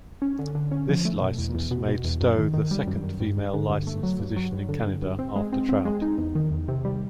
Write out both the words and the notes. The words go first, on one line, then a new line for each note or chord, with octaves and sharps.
This license made Stowe the second female licensed physician in Canada, after Trout.
C#4
D3
D3
C#4
F3
A3
B2
E2
E2
B2
B2
E2
F#2
D#3
D#3
G3
F#2
F#2
G2
G2
D3
G2
A3
F#3
G2
F#3
G2
D3
G2
G2
C4
G#3
C4
C4
G#3
D#4
E2
D#3
E2
C3
G3